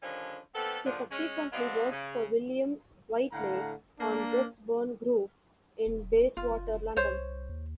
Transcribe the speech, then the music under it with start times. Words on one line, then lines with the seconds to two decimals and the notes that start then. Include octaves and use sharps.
He subsequently worked for William Whiteley on Westbourne Grove in Bayswater, London.
0.02 D3 D#3 F3 G3 C#4
0.54 D#2 B3 C4 A4
0.84 E2 A#2 D3 F3 D4
1.10 G#3 C#4
1.52 F3 G3 B3 C4 D#4
1.91 C#3
3.32 A2 D3 A3 F5 F#5 A#5
3.99 A#3 D4
5.86 E1
6.37 F#1 F4
6.96 C2 C5 C#5
7.49 D#2